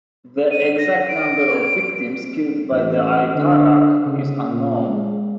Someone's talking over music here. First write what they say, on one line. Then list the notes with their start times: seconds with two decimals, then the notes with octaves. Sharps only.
The exact number of victims killed by the Aitarak is unknown.
0.51 D#7
0.78 A#6
1.09 D7
2.71 A1
3.36 D3
4.06 C#3
4.48 A#2
4.88 G#3